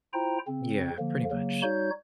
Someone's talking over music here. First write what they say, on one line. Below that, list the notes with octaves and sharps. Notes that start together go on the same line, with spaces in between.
Yeah, pretty much.
E4 F4 C5 G5 A#5
C#3 C4
D3 F3 A#3
C#3 F#3 A#3
G3 D#4 F#4 C#5 G6